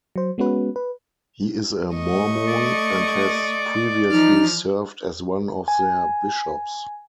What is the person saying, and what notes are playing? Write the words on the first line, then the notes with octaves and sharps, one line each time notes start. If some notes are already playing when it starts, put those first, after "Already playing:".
He is a Mormon and has previously served as one of their bishops.
F#3 C5
G#3 B3 C#4 F#4 B4
B4
A3 D#5 C#6
D5
E3 F3 D#4 F6
G#5